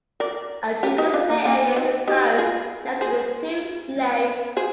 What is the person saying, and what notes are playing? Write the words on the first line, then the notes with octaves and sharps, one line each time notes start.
A children's play area resides next to the two lakes.
A#4 D5
G4 A#4
D#4 G4
D4 F4
A#3
D#4
A#3 D4
C4 D#4
D#4 G4
F4 G#4
G#4 C5
G#4 C5